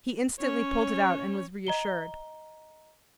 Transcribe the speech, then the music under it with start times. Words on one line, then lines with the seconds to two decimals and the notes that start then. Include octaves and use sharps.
He instantly pulled it out and was reassured.
0.40 C#4 C#5
1.67 D#5 A#5 G7